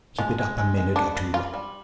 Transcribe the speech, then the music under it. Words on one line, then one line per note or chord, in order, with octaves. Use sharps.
Keep it up a minute or two longer.
F3 G#3
G#3
G#3
G#3
B3 D4
B3
G3 F4
G3